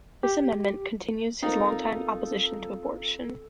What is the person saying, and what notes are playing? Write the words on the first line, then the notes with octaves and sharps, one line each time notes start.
This amendment continues his longtime opposition to abortion.
G4
C4 D#4 F4 A4 A#4